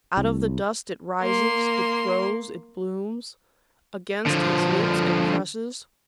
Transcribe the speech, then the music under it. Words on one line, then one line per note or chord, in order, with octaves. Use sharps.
Out of the dust it rises, it grows, it blooms. Against his lips it presses.
C2
A#3 C6
D3 F3